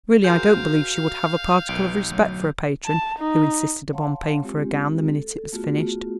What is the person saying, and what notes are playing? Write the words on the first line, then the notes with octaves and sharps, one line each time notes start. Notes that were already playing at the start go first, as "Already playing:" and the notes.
Really, I don't believe she would have a particle of respect for a patron who insisted upon paying for a gown the minute it was finished.
F#4 G#4 A#4 C5 F5 G6
B1 B4 G5
D2 F#3 C#5
A5
D#4
C#5 F5 F#5 A5 A#5 C6
G#3 C4 F4 G4
A4
A3 B3 F4 F#4 G#4